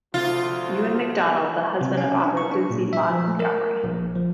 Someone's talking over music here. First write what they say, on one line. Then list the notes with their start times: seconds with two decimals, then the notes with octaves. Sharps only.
Ewan Macdonald, the husband of author Lucy Maud Montgomery.
0.14 D2 C3 F3 F4
1.81 C3
1.97 C#4
2.24 D4
2.37 C#6
2.52 D4
2.70 A#2
2.93 E5
3.10 F3
3.28 A3
3.39 A#4
3.84 A#1
4.15 F3